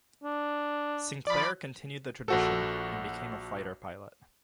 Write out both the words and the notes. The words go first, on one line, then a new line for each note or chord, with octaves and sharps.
Sinclair continued the tradition and became a fighter pilot.
D4
F3 D5 B5
A#1 F#4 A4